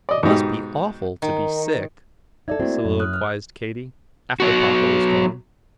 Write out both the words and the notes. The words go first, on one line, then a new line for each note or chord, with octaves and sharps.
"It must be awful to be sick," soliloquized Katy, after Papa was gone.
D5 D#5
G#2 B2 D#4 G4
D#3
D#4 A4 D5 E5 G#6
A3 A#3 C4 E4 F#4
F#2
D#6 F6 F#6
F6
F#3 B3 F#4